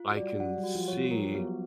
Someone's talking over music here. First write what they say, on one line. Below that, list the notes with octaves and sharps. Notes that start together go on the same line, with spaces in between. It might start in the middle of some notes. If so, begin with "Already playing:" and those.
I can see
Already playing: F4
F#4
D5
G3 G4
F#3 F#4 F#5
G3 G4
F#4
F3 F4
C#5
F3 F4
G3 G4 A#4
F4
F#3 B3 F#4